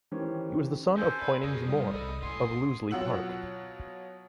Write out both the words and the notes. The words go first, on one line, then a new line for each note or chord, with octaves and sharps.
He was the son of Poynings More of Loseley Park.
D#3 E3 C#4 G4 C5
F#2 C3 A4 C5 G#5
B4 D5
F2 D#3 F3 G#4 D#6
C3 G3
C2 A4 D#5 B5
F#2 A2 B3 G#5 C6
B2 F#3 F4 F#5 E6 F#7